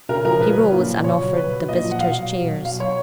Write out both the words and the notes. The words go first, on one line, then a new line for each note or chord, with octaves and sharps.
He rose and offered the visitors chairs.
C#3 A#4
F3 A#4
C#3 B4
F#3
A#2
F3
C#3 C#5
F#3
B2 B4
F#3
A#2 D#5
F3
F#5
B2 F5
F#3
B2
F#3
B2 F5
F#3 C#5